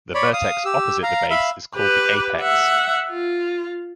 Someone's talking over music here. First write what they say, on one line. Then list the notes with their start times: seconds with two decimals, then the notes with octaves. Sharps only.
The vertex opposite the base is called the apex.
0.15 C#5 D5 B5
0.33 F5 D#6
0.65 G4 E6
1.03 F5 A#5
1.30 E5 F5 B5
1.75 G4 B4
2.41 E5 F#5
3.10 F4